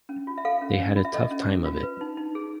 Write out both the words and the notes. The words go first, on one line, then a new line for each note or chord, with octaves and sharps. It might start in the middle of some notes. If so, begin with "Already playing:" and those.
They had a tough time of it.
C#4
F4
E5
A4 F5
C#4
C#4
F4
E5
A4 D#5
C#4
C#4
F4
B4
D#4
D#4
G#4